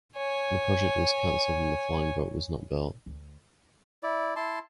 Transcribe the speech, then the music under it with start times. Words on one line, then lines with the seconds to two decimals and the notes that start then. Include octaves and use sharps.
The project was cancelled and the flying boat was not built.
0.16 C#5 G#5
3.06 D2
4.03 E4 D5
4.36 E4 A5 C6